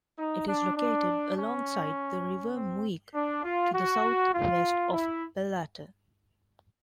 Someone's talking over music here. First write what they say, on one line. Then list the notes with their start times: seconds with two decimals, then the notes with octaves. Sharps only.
It is located alongside the River Muick to the southwest of Ballater.
0.17 D#4
0.46 D4
0.76 D4
1.36 C#4
2.54 C4
3.14 D4
3.44 F4
3.73 F#4
4.33 F4
4.92 E4